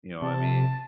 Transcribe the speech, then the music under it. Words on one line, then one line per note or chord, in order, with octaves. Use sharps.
you know what I mean?
C3 A5